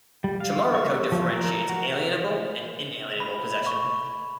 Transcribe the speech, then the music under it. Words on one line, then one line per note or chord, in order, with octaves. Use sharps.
Chimariko differentiates alienable and inalienable possession.
G3
F5
C#6
F3
A#4
F#4
B5
C#6